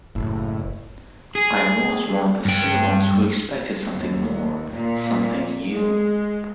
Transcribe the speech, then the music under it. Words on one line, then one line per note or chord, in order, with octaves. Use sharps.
I was one of the silly ones who expected something more, something new...
F#1 A2
G#4
G2 G5
D#2
A#2
G#3